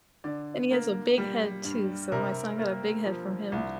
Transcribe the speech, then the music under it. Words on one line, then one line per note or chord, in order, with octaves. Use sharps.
and he has a big head too, so my son got a big head from him.
D3 D5
A#3
G3
G2
C3 A#4
A#3
F3
C2